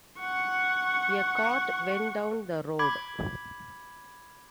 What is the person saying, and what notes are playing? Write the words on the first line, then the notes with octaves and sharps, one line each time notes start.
A cart went down the road.
F#5 C#6
B5 D6 G#6